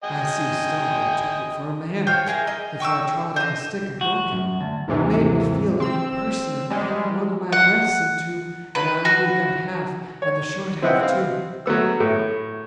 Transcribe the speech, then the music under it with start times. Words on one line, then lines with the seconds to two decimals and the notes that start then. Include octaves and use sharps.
If I see a stump, I took it for a man; if I trod on a stick and broke it, it made me feel like a person had cut one of my breaths in two and I only got half, and the short half, too.
0.04 D#5 G5 G#5
2.07 C5 C#5 F5 G5
2.26 E4 F#4 G#4 A#4
2.47 D#5
2.80 G5 C#6 D#6 E6
3.36 C5 D#5
4.01 F#4
4.32 F#2
4.61 D2
4.88 D#2 G#2 C3 E3
5.80 C4 E6
6.70 G3 G#3
7.53 F#5
8.75 B4
9.05 F#4
10.22 C#5
10.82 C4 E4 B4 D#5 F#5 G5
11.01 C4 F5
11.66 F#3 A3 B3 E6
12.00 A2